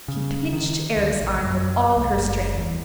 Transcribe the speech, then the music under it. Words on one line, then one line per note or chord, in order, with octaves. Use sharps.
She pinched Eric's arm with all her strength.
C#3
D#3
D2
A#1
F#2
C2
F#1
E2